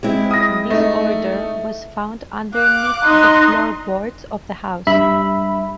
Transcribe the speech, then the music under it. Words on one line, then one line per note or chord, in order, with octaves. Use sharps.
This order was found underneath the floorboards of the house.
G#3 C4 E4
D#6 A#6
A3 D#4
F5 D6 F#6
D#4 C6 D#6
G2 E5 B5